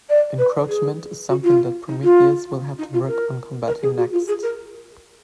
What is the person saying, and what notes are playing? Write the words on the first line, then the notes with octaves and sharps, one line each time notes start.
Encroachment is something that Prometheus will have to work on combating next.
D5
B4
G#4
F#4
F4
D#4
F4
D#4
F4
A#4
A#4
G#4
F#4
F4
G#4
A#4